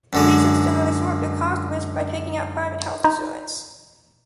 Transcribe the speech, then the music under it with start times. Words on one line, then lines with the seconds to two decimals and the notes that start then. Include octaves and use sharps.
Patients generally shore up their cost risk by taking out private health insurance.
0.13 F#2 D3 G#3
3.04 D#4